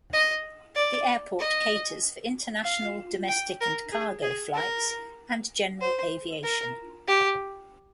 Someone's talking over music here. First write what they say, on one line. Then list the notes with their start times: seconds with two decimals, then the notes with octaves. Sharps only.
The airport caters for international, domestic and cargo flights and general aviation.
0.13 D#5
0.76 D5
1.39 D#5
2.65 F5
3.28 G5
3.60 A#4
3.92 G#4
4.22 G#4
4.54 A#4
5.81 C5
6.44 A#4
7.08 G4